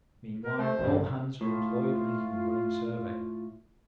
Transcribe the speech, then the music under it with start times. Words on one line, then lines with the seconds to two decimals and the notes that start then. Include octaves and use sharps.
Meanwhile all hands are employed making a running survey.
0.43 A#4
0.59 A3 C5
0.79 A1 G2
1.41 A2 F4